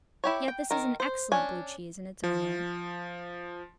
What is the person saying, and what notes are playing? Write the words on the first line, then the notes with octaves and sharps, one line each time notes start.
Yet this is an excellent, Blue cheese in its own right.
E4 G4 C#5
G5
D#3 A#4
C5
C#4 D4 G#5
F3